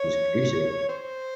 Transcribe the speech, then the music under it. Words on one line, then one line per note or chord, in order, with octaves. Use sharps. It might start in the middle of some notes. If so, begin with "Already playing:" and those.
it was crazy.
Already playing: C#5
C5